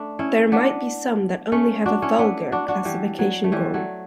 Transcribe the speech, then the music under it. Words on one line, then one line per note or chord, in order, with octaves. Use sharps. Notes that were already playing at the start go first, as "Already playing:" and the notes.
There might be some that only have a vulgar classification goal.
Already playing: A3 D4
C#4 E4
B3 D4
A3 C#4
D4 F#4
C#4 E4
B3 D4
D4 F#4
D4 F#4
E3 G3
F#3
A3
E3 G3
F#3 A3